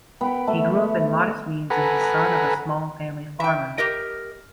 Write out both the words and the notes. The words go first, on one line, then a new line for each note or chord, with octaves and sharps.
He grew up in modest means as the son of a small family farmer.
B3 G5 B5
A3 E5
A4 B4 F#5 G#5 A#5 B5
E5 G5
G4 A#4 D#5